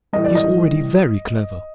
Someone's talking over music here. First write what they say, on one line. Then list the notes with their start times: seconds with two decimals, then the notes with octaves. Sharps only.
She is already very clever.
0.13 A2 E3 G3 D#5
0.25 D5
0.35 D#5